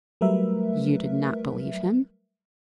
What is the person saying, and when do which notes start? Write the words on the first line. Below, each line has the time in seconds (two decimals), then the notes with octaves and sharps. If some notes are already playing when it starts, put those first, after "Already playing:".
"You did not believe him?"
0.21 F#3 G3 A3 A#4 B4 E5